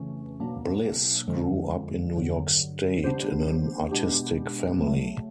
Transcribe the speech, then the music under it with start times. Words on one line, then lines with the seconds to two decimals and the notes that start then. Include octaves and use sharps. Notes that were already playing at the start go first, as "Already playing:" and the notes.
Bliss grew up in New York State in an artistic family.
Already playing: F2 C#3 E3 A3 C#4
0.40 B2 F#3 A#3 D4
1.27 F2 D3 F3 G#3
2.16 G2 D3 F#3
3.04 G3 B3 D4 G4 C5
3.91 B2 G#3 B3 D4 G4
4.80 C#3 F#3 A3